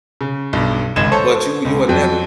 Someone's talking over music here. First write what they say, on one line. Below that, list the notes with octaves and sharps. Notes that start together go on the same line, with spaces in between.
But you you are never
C#3
B1 G2
G#1 C#2 G#6 E7
A4 C5 C#5
C#2
F2 F#3